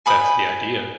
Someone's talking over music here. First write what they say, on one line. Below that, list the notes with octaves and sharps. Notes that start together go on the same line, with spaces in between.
That's the idea.
G#5 B5 D#6